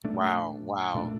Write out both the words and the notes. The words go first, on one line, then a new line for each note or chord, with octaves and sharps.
Wow, wow.
A#2 A3 D4
A#2 A3 D4